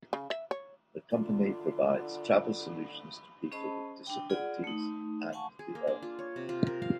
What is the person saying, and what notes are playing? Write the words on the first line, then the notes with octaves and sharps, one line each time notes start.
The company provides travel solutions to people with disabilities and the elderly.
C#3
E5
C#5
D3 F4
C#4 G#4 C5 D#5 A5 B5
D4 G5
F4 G#4 D5 F#5
A3 D#4
F5 F#5 G#5 A5 C#6
G#4
A#3
D4
F4
C#5
C3
F4
A#4
F5